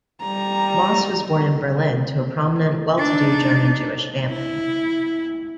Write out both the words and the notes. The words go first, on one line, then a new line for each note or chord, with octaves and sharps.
Mosse was born in Berlin to a prominent, well-to-do German Jewish family.
G3 A#5
D4 D#4
E4